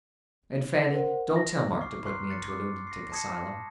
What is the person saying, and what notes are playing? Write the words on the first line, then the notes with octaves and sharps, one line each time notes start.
And, Fanny, don't tell Mark to put me into a lunatic asylum.
A#4 C5 F#5
A#6
C#6 D6 F6 C7
A#5 C6 C#6 F6 F#6 C7
F#6 A6 C#7
D6
A#6 C7
A5 D#6 G#6 A#6 C#7